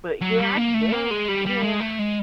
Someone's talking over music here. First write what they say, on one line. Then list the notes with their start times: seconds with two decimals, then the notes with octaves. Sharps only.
But, yeah, I guess, yeah,
0.21 F#3
0.39 G3
0.57 A#3
0.74 A3
0.92 A#3
1.11 G#3
1.28 G3
1.46 G3
1.64 G#3
1.81 A3
1.99 G#3